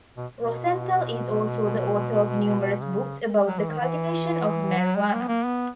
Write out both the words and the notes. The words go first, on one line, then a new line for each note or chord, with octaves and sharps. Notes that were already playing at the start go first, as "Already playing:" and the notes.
Rosenthal is also the author of numerous books about the cultivation of marijuana.
B2
B2
C#3
F#3
E3
D#3
E3
F#3
G#3
A#3
B3
A#3
B3